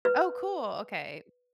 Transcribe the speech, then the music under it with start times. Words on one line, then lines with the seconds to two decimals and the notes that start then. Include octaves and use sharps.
Oh, cool, okay.
0.05 B4